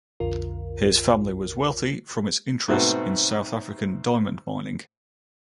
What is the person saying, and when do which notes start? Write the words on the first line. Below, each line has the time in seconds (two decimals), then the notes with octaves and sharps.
His family was wealthy from its interests in South African diamond mining.
0.20 B1 F2 D3 F4 A#4
2.68 G#2 B2 A3 B3 C4 F#4